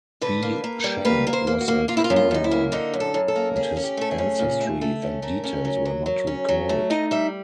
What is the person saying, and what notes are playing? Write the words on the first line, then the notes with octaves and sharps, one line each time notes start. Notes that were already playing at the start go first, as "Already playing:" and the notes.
Bi Sheng was a commoner, and his ancestry and details were not recorded.
D3 B4
A#3
A#3
G3
A#3 B4
A#3
C5
A#3
F#4
A#3
A#3 F4
E4
F4
F#2
F4
F#2 D#4
E4
A#3
D3 D#4
F#2
A4
F#2
A4
A#3
C#4 G#4
C#4
G4
A3 A4
G#4
C#4
A#2
A3
A3
C#4
A3 A#4
C#4
F#3
F#3
F#3
C#4
F#3
A3
D#4 D#5
G3 E5